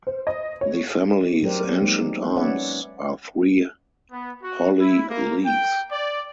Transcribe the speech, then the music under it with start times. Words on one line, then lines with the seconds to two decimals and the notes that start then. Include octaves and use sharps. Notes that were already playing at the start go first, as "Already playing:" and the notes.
The family's ancient arms are three holly leaves.
0.07 C5
0.27 D#5
0.61 C#5
1.23 C#4
1.43 F#3 G4 A#4 C5 D5
1.64 C4
1.82 G#3 A#3 D#4
2.36 C#4 B4 C#5 D5 E5 F#5
4.12 B3
4.43 F#4
4.79 E4
5.10 A#3
5.47 G5
5.92 D5